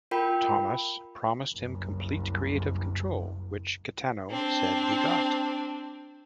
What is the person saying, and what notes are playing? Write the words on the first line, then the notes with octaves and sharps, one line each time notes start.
Thomas promised him complete creative control, which Kitano said he got.
F4 A#4 G5 B5
F#1 C2
C4 D4